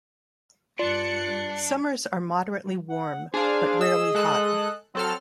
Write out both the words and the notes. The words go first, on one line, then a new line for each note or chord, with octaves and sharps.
Summers are moderately warm but rarely hot.
G2 D4 F4 D5 F#6 C#7
F#5
D4 G#4 C5 F5
D#5 E6
G#3 A4 F#6
F#3 C4 A4 F6